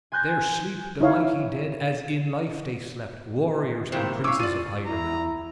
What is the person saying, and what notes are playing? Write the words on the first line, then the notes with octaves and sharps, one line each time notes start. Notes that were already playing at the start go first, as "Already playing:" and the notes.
There sleep the mighty dead as in life they slept, warriors and princes of high renown.
G#5 C6 F#6 G6 A6 A#6
D#4 E4 C#5 F5
G#2 C3 D#3 A#3 E4 C5
C#4 F5 C#6 D6 E6
F4 D5 D#7
E4 A#5